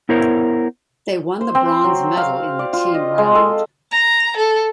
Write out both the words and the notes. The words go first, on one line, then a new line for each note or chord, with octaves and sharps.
They won the bronze medal in the team round.
B3 E4 A#4 C5 C#5
C5
C4
F#3
F5
D5
F4
D#5
G#3
A4
A#5
A4